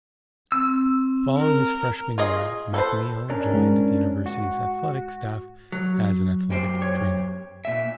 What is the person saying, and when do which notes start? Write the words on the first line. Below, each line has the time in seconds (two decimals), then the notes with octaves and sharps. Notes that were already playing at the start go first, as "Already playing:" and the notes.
Following his freshman year, MacNeill jointed the university's athletic staff as an athletic trainer.
0.52 C4 E6
1.38 A#4
2.18 F4 G#4 D#5
2.74 A4 B4 C5
3.30 C#4 D4 A#4
3.54 G#2
4.26 F#4
5.72 F#3
6.51 F#2 G4 C5
6.82 C#5
7.65 A#2 E5